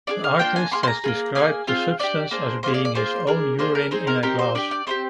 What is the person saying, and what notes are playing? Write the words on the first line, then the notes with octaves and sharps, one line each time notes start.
The artist has described the substance as being his own urine in a glass.
D4 F4 G#4 D5
F5
A#3 D4 F4 G5
G#5
A#3 F4 G#4 C6
C6
A#5
A#3 F4 G#4
A#3 D4 G#4 G#5
C4 F4 G#4 F5
D4 G4 D5
A#3 D4 G#4 C5
A#3 F4 G#4 C5
D5
D5
A#3 F4 G#4 C5
D4 G#4 A#4
A#3 D4 G#4 C5
A#4
C4 D#4 G#4 C5
A#4
C4 D#4 G4 A#4
C5
D4 G4 D5
D5
C4 D#4 G4 C5